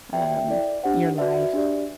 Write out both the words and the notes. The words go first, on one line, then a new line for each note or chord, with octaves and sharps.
um, your life.
F#4 B4 D5 E5 G5
E4 A4 D5
D4 G4 C5 F#5
F#4 B4 D5 E5
D4 G4 D5